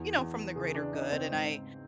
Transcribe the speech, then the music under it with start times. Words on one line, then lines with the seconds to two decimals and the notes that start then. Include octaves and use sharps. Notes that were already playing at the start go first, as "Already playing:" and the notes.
you know, from the greater good, and I
Already playing: E2
0.18 E2
0.56 C#3 G#4
0.75 D4
0.94 C#3 D#4
1.12 C4
1.31 G#2